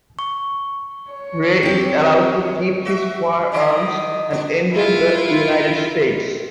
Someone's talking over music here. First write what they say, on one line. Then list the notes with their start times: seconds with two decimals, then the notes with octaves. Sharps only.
Ray is allowed to keep his firearms and enter the United States.
0.19 C#6
1.11 C#5
1.63 C4 G4
2.85 F#4 E5
3.52 D#3 E4 D#5
4.30 D3 D4
4.72 E4 F4